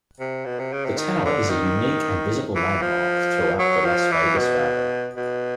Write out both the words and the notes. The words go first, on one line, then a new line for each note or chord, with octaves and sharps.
The tower is a unique and visible landmark throughout the Las Vegas Valley.
C3
B2
C3
C#3
C3
D#3
D3
D#3
E3
F3
F#3
F3
E3
B2
B2